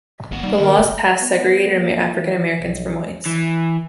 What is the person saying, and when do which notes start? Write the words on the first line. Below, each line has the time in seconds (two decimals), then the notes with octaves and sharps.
The laws passed segregated African Americans from Whites.
0.31 G#1 A#2 F#4
0.43 G3 D#4
0.60 D#3 A#4
0.79 G1
1.21 B3
1.75 A#3
2.11 E3
2.59 B1
3.26 E3